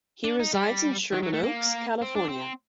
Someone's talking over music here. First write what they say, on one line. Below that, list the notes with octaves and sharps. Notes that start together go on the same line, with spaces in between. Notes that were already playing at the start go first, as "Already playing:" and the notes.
He resides in Sherman Oaks, California.
D4
D#4
G3
D#3
F#3
A3
A#3
C4
D4
C4